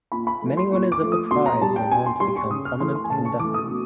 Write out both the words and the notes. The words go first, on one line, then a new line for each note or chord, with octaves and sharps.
Many winners of the prize went on to become prominent conductors.
A#2 B5
B5
F3 A3
C6
A#2 C#6
D6
F3 A3
D#6
B2 C6
A#5
G3 A5
G5
B2 G#5
C6
G3 C6
C#6
C#3 D#6
F6
E3 A3 C6
C6
G#5
C#3 A5
C#6
E3 A3 D6
D#6
B2